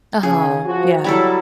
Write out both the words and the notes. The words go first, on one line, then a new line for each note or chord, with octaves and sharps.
uh-huh, yeah
C#3 G#4
F3 F#4
F#3 G3 E4 A4